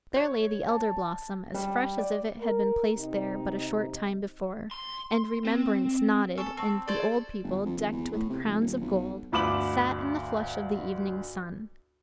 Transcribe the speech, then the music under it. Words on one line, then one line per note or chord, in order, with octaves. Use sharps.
There lay the Elder-blossom, as fresh as if it had been placed there but a short time before; and Remembrance nodded, and the old people, decked with crowns of gold, sat in the flush of the evening sun.
C#5
A5
G3
D5
A#4
C3 D#4
C6
C4
A4 G#5 C#6
C4 A5 C#6
G#4 A4 C5 D5 C#6 G#6
G1
F2
G#1
E2
A2
C3
F1
D#1
B1
G1 D2 B5 D6 E7 F#7